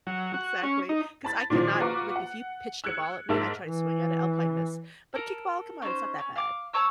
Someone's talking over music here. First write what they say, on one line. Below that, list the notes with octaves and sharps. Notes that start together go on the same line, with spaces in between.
Exactly, 'cause I cannot like, if you pitched a ball at me, and I try to swing at it, I'll probably miss. But a kickball? Come on, it's not that bad.
F#3
F#4
C#4
D#4
A5 B5 A6
A#2 D#3 F3 F#3
F4 F#4 B4 A#5 C#6 D6
F#5
E6 F#6 G#6 C#7
G#2 A#4 E5 A5 E6
E3
A4 A#4
C#4 D#4 A4 C5
C#4
F5 D6
C#5 A5 C#6 E6